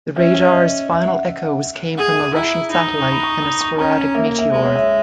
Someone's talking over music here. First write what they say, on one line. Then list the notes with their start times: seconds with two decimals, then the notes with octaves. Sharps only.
The radar's final echoes came from a Russian satellite and a sporadic meteor.
0.16 C#4 E5
0.35 E5
0.52 D#5
0.89 E5
1.07 F#5
1.25 E5
1.98 G#4 F#5
2.15 G#5
2.34 E4 A#5
2.70 D#4 B5
2.88 D#6
3.00 C#6
3.12 B5
3.23 C#6
3.42 D#6
3.61 C#6
3.78 C#4 A#5
3.91 A#5
4.14 A#3 E5
4.26 E5
4.39 E5
4.52 G#3
4.64 C#5
4.76 E5